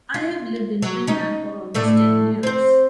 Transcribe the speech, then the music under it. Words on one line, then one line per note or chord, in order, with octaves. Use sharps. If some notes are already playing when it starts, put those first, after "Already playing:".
I have lived in Finland for almost ten years.
F4
F#3
C#4 D#4
A2 A3 D4
C4 C5